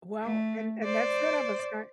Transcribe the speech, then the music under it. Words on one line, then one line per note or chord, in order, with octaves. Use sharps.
Well, and and that's what I was going
A3
C5 D5